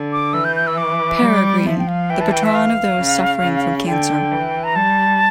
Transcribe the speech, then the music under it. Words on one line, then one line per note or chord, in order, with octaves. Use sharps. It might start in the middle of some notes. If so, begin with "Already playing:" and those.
Peregrine, the patron of those suffering from cancer.
Already playing: D3
D6
E3 E6
G6
G6
E6
D6
G3
F3 E5
G5
F5
E3 G5
A5
G5
E5
F5
C#3
C#3
D3 G5
E3
A#5
G3 A5